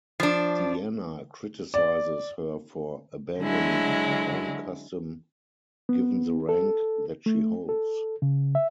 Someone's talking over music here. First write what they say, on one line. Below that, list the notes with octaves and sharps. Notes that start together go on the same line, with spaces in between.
Deanna criticizes her for abandoning her own custom given the rank that she holds.
F3 D4
D5
D3 F#3 G#3 E4
B3
A4
A3
A4
C#3
E5